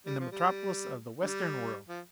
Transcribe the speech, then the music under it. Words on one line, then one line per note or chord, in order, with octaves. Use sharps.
In the metropolis of the western world!
G3
F3
G3
D3 G3
F3